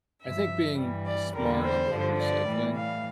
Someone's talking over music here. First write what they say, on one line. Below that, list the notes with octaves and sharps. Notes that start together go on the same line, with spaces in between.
I think being smart about recycling,
G2 F3 E5
G2 E3 G3
D5
E2 D3 G3 A#4
C5
G2 D3 F3
D5
A2 E3 G3
F5